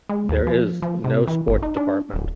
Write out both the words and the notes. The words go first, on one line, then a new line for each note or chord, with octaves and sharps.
There is no sports department.
G#3
D#2
F3
F3
C3
E3
G1
D#4
D4
D1